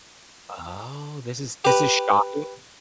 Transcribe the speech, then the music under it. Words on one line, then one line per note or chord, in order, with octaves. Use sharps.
Oh, this is this is shocking.
G4 B4